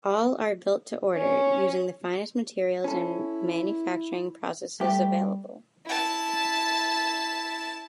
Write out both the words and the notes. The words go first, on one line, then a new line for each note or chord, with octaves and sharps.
All are built to order, using the finest materials and manufacturing processes available.
C#4
C#4 E4 A4
G3 A3 G4
E4 A5